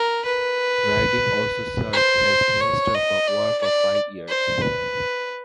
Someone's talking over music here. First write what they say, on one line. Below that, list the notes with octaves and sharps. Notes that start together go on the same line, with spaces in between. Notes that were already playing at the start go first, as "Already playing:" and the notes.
Ryding also served as Minister for War for five years.
Already playing: A#4
B4
C5
C#5
D#5
D5
D5
C5
B4